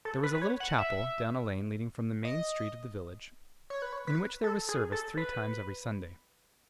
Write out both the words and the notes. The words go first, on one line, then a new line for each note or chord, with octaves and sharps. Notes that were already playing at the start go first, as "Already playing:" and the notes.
There was a little chapel down a lane leading from the main street of the village, in which there was service three times every Sunday.
A4
B4
B4
C#5
F#5
E5
D#5
C#5
B4
C#5
B4
A4
G#4
A4
B4